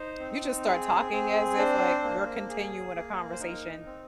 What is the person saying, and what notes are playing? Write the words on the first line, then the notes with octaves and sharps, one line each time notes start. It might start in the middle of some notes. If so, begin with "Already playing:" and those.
you just start talking as if like we're continuing a conversation
Already playing: D#4 C5
C4
G#4
C4
D4 C5
A#3
G#4
A#3
C5
D#4 A#4
C4